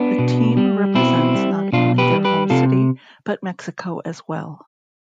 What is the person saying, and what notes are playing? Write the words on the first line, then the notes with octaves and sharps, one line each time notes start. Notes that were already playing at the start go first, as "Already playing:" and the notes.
The team represents not only their home city, but Mexico as well.
Already playing: B3 D4
B2
G3
B2 C4 E4
G3
B2 D4 F4
G4 B4
G3
G4 B4
C3 F4 A4